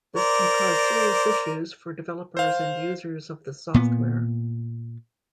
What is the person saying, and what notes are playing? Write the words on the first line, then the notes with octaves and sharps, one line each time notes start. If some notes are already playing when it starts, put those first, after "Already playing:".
This can cause serious issues for developers and users of the software.
A#4 C5 D5
C5 F5
A#2 B3